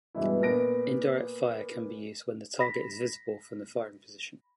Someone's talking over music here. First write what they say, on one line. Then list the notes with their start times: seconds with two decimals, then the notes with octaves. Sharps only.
Indirect fire can be used when the target is visible from the firing position.
0.15 G2 B2 E3 G#3 E4
0.41 A#2 B3 A#6 D7
2.59 B5 A#6 B6